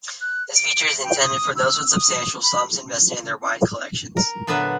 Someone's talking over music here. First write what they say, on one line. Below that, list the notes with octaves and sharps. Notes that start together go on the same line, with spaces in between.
This feature is intended for those with substantial sums invested in their wine collections.
F#6
D7
G5
D#6
E6
D#6
B5
A#4
A#2 D3 F#3 B3 B4 E5